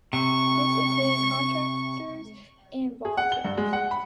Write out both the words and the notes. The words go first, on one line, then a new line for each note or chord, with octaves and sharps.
This includes contractors and volunteers.
C3 C#6
G#4
F#5
G7
G2
G#3
F#5
B5